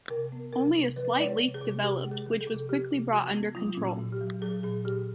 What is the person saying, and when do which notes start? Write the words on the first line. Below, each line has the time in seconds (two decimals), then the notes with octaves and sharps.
Only a slight leak developed, which was quickly brought under control.
0.10 C3 A#4
0.32 B3
0.53 C3 A#4
0.75 C3
0.96 F3 B4
1.17 G#3 D5
1.26 C#5
1.40 C3
1.54 G#4
1.61 C3
1.83 C3 G4
2.04 G#3
2.11 G#4
2.26 F3
2.41 A4
2.47 C3
2.69 F3 G4
2.91 C3
3.12 F3 F#4
3.34 B3
3.55 F#3 F4
3.77 A#2
3.85 F#4
3.99 A#2
4.12 G4
4.21 F#3
4.41 F#3 G#4
4.63 A#2 G#4
4.85 A#2 G4